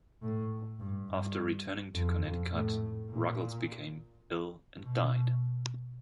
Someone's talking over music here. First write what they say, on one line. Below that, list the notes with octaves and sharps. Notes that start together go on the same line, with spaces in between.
After returning to Connecticut, Ruggles became ill and died.
A2
G2
G2
F2
F2
A2
A#2
B2